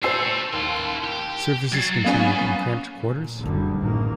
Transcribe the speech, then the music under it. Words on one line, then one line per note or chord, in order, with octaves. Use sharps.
Services continued in cramped quarters.
A4 C5 C#5 E6 C7
D#2 E4 C6
G4
F#3 G#6 A6 C7
A#3 B3 C#4
A#2
F#1 D2 D3 G3
A1 G#2 D#3 A#3